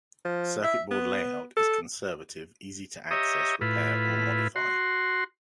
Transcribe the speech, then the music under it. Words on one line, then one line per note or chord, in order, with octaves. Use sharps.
Circuit board layout is conservative, easy to access, repair or modify.
F3
E5
B3
A4
G4 C#5 D#5 E5 A#5 D#6
A2 E4 F4 B4
F#4 C6